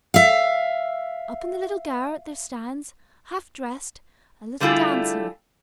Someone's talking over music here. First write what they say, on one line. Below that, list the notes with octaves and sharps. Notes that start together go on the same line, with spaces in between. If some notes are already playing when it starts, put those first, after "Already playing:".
Up in the little garret there stands, half-dressed, a little Dancer.
E5 F5
D3 G3 A3 E4 F4 G#4